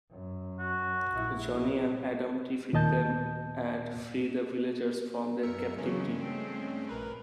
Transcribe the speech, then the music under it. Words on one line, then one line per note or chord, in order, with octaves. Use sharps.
Johnny and Adam defeat them and free the villagers from their captivity.
F#2
F#4
A#1 E4
D#2 A#2 D#5 A5 G6
F#2 A#4 E5 C#7
G2 C#3 E3 F#3 G#3 C#4
A3 C4
A#1 A#4 B4